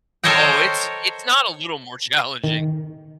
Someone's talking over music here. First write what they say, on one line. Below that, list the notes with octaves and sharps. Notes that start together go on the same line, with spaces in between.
Oh, it's it's not a little more challenging.
A4 A#4 C5 C#5 D#5 G5
D#3